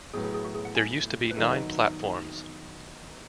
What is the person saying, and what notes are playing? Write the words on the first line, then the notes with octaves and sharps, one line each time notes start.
There used to be nine platforms.
A2 F#3 B3 G#4
G#4
G#4
F#4
G#4
F#5
G#5
B4
D#3 F#3 B3 D#4 A4
B4